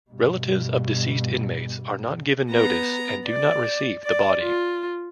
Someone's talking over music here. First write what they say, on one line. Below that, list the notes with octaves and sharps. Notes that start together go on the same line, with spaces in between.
Relatives of deceased inmates are not given notice and do not receive the body.
G2 B2
B3 A#5
D5
D5
F4